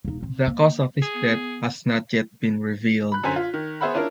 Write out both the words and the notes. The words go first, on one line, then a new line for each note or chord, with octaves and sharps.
The cause of his death has not yet been revealed.
E1 D#4
C4
A#3
G#4
B3
B5 F#6
F#2 D3 C5 G#5 G#6 B6
F4
D#3
B3 G#4 C5 E5 F#5 B5
C#4 D4 E4 F4 A#4